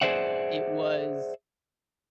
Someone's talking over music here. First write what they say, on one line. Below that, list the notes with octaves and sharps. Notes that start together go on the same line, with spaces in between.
It was
G#4 C5 D5 E5 F#5